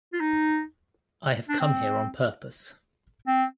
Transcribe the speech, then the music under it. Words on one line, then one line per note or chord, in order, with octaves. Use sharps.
I have come here on purpose.
F4
D#4
D4
C4
C4